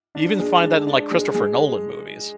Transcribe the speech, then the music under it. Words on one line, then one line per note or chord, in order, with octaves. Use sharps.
You even find that in, like, Christopher Nolan movies,
D4
G#3
D4
D4
G#3
G#3